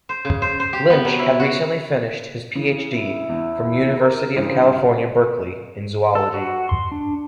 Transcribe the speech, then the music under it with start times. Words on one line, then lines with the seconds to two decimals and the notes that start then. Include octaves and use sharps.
Lynch had recently finished his Ph.D. from University of California, Berkeley in Zoology.
0.09 C5
0.25 C#3
0.42 C5
0.60 C5
0.73 G4
0.90 B3
1.05 F#3
1.19 E4
1.40 F#4
2.55 C#3 E3
2.92 E4
3.29 E2
3.98 A#4
4.36 G2 C#3 E3 C5
6.15 A4
6.34 F#4
6.69 C6
6.92 D4